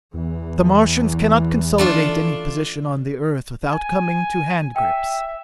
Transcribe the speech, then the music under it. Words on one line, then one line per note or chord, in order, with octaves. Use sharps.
But the Martians cannot consolidate any position on the Earth without coming to handgrips.
E2 E3
A3 D4 F4
G#5
E5 G5